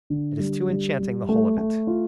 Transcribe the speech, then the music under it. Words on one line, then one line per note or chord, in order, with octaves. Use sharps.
It is too enchanting, the whole of it.
D3
G3
G3
G3
A3
A3
F4